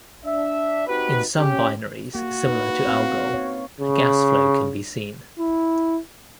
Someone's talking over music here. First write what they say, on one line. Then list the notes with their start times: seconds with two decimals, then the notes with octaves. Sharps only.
In some binaries similar to Algol, a gas flow can be seen.
0.25 D4 E5
0.87 C4 D#4 F#4 G4 B4
1.38 C#4 G4
2.15 A#3 F#4
2.47 D#4 B4
2.87 C4 F5
3.34 C#5
3.81 C#3
5.39 E4